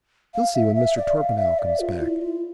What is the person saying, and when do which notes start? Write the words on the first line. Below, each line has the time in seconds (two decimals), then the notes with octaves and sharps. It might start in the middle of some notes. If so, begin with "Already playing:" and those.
You'll see when Mr. Torpenhow comes back.'
0.34 F5
0.55 E5
0.75 E5
0.97 D5
1.17 F5
1.38 E5
1.59 D5
1.80 F4
2.01 E4
2.21 F4